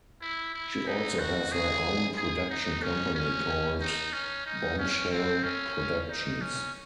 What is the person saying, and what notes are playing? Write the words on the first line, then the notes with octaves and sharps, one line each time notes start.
She also has her own production company called "Bombchelle Productions".
E4
E4
D#4
F#4
G#4
G#4
D#4
C#4
C#4
D#4
C#4
D#4
C#4
C4
C#4
D#4
C#4